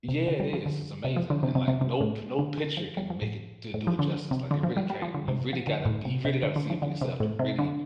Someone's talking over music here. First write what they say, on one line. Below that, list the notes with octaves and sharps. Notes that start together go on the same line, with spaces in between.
Yeah, it is, it's amazing, and like, no p no picture can make it to do it justice, like, it really can't, you really gotta be you really gotta see it for yourself to really
C3
D3
G3
F3
D3
C3
F3
D3
C3
C3
C3
C3
A2
D3
D3
F3
G3
F3
A2
A2
F3
D3
C3
D3
F3
G3
G3
F3
D3
C3
F3
D3
A2
C3
C3
D3
D3
F3
D3
C3
A2
C3
D3